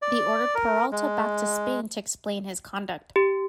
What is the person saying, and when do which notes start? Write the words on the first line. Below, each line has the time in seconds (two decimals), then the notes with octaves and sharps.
They ordered Peralta back to Spain to explain his conduct.
0.02 D5
0.55 A#4
0.92 G#3
3.16 G4